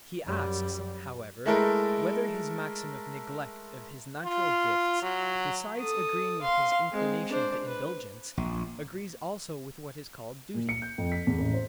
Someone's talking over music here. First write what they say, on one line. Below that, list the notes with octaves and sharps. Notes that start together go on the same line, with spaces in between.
He asks, however, whether his maxim of neglect of his natural gifts, besides agreeing with his inclination to indulgence, agrees also with what is called duty.
F#2 G3
G#3 A3 E4 A4 A#4
F4
F#3
A4 D#6
F5 C6
G#3 C4
D4 C5
B4
A#1
A#2
C#7
G6
F2
B6
E2
A1
C5